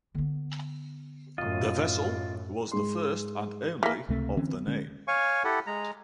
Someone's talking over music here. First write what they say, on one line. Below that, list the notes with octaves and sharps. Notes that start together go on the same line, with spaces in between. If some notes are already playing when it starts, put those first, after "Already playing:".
The vessel was the first and only of the name.
D3 B3
F#2 A2 F4 D#5
G#2 G#3 C6
E3 A#3 F6 A#6 B6
C#2 C3 A3 C4
D3 E3 C4 C#4
B3
D3 G#3 C#4
C#5 F5 G#5 C#6
E4 G4 A4 F#5
G#3 A#5